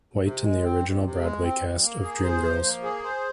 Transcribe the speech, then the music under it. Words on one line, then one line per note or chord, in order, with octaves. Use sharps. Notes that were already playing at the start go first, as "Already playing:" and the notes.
White in the original Broadway cast of "Dreamgirls".
C3
G#3
C4
F2
C3
G#3
C4
F2
A#3
G#4
C5
F3
A#3
G#4
C5